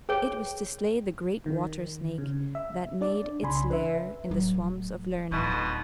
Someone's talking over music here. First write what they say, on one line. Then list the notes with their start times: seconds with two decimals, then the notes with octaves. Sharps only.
It was to slay the great water snake that made its lair in the swamps of Lerna.
0.09 G#4 C#5 G5
1.46 D#3
2.18 C#3
2.55 E5
3.01 D4 D5
3.42 C2 C#3 D4 G#5 B5 C6
3.70 B4 E5
4.30 D1 F#3
5.31 D1 F2 B2 D#4